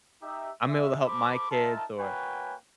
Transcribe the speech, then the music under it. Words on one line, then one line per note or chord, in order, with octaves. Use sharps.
I'm able to help my kids or,
D#4 G4 E5
G#3 E5
A4 C5 B5 C6 D6
D#4 F4 A#4 E5 A5
A#3 F#4 B4 C#5 G5 G#5